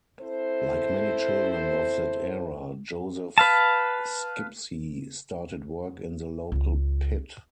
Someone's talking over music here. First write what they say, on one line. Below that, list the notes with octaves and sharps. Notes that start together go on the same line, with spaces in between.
Like many children of that era, Joseph Skipsey started work in the local pit.
C4 E4 A4 C5
B4 F5 A5
C#2